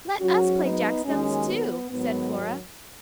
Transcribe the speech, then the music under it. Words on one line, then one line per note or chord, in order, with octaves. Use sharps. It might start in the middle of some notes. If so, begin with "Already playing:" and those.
"Let us play jack-stones, too," said Flora.
G#2 F#3 C#4 F#4
B3 D#4
D#2 D#3 F#3 G#3 C#4
B3
G#2 D#3 F#3 B3